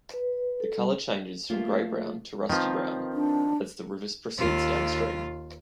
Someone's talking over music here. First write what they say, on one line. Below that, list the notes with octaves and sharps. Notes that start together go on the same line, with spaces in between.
The color changes from gray-brown to rusty brown as the river proceeds downstream.
B4
A4
G3
A3 A#3 F4
D#3 F3 C4 A#4 B4
D4
D#2 F4